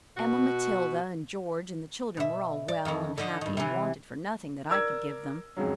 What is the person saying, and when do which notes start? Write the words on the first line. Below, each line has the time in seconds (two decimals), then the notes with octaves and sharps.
Emma Matilda and George and the children were all well and happy and wanted for nothing that I could give them.
0.17 B2 F#4
2.17 B2 E5
2.68 D5
2.85 F2 D#3
3.18 D3 D#4
3.41 G2 D#3
3.57 C3 E3
4.70 A#4 D5 E6 G#6
5.57 F2 G#2 C#3 F#3